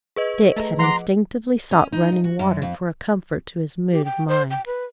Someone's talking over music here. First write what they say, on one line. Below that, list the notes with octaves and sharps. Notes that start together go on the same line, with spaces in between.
Dick had instinctively sought running water for a comfort to his mood of mind.
G#4 B4 D#5
A3 A4 A#5
F3 F#5 A#5 C6 D6
C#4
D#4
D#4
F#4
F#2
F2
G4
G5
C5
G5
B4